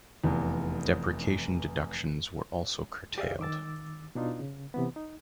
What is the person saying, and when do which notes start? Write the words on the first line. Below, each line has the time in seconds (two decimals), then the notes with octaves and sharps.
Depreciation deductions were also curtailed.
0.24 F1 E2
3.18 G4 G#4 D5 E5 F5
3.40 D#3 D6 E6 A6
4.15 B2 D4 D#4 F4
4.40 C#3
4.74 C3 E3 B3
4.96 D#4